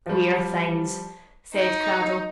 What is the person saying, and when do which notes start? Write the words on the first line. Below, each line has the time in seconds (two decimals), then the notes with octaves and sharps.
"Queer things!" said Cradell.
0.06 F3 G3
1.54 D#4